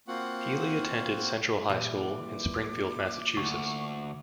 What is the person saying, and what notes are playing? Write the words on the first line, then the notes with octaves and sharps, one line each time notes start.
Healey attended Central High School in Springfield, Massachusetts.
A#3 C4 F4 F#4 F#5
A#2 E3 G3 D6
D2 C#6